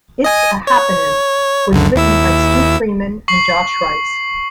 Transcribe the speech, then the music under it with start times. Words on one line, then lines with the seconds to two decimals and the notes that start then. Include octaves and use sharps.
"It's A-Happening" was written by Stu Freeman and Josh Rice.
0.24 D#5 G#5 D#6
0.67 C#5
1.72 C#2 F#2 D3
1.95 D#2 E4 E6
3.28 C#6 C7 F#7